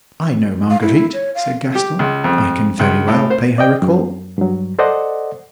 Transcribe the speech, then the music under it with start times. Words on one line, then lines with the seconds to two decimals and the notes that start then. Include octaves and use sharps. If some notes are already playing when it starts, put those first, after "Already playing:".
"I know Marguerite," said Gaston; "I can very well pay her a call."
0.70 F5
0.81 E4
1.13 C#5
1.35 F5
1.75 G4
1.99 C#2
2.24 F2
2.80 C#2
3.08 A2
3.30 C5
3.58 D5 D#5 G5
3.82 F#2
4.38 G2 F#3
4.79 A4 C5 D5 D#5 F#5